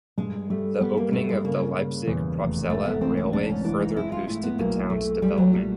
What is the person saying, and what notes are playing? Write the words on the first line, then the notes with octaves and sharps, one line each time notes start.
The opening of the Leipzig-Probstzella railway further boosted the town's development.
G2 G#3
G3 A3
G3 B3
A#3
G2 A3
G#3
C#3 A#3
C#3
E2
F1
G#2 A3
B3
A1 C4
C#4
G#2 D4
C#4
E3 D4
D#4
G#3 E4
F4
A2 E4
B3
B1 A#3
B1 A3
G3 A3
F#3
A#2 G3